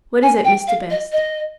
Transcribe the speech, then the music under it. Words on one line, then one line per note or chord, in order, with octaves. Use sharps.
"What is it, Mr. Best?"
G#5
G5
F5
D#5
D#5